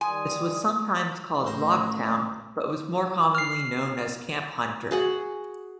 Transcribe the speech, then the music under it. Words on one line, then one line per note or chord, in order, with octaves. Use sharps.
This was sometimes called Log Town, but was more commonly known as Camp Hunter.
D#3 G3 G#5 C6 D#6
A1 C5 A#5
F6 C7
F#4 G#4 F#5